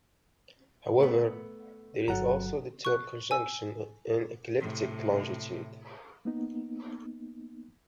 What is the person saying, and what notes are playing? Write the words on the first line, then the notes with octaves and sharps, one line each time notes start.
However, there is also the term conjunction in ecliptic longitude.
A3 B3
G1 F#3 A4 F#5 A#5
C#6 F#6
G#5 E6
A2 C3
A#3 B3 D#4